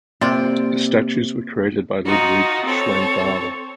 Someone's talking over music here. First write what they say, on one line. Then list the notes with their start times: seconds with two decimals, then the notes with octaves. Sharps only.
The statues were created by Ludwig Schwanthaler.
0.21 C3 A#3 F4 D5
2.05 D#4 F4 F#4
2.65 C4 A4 C#5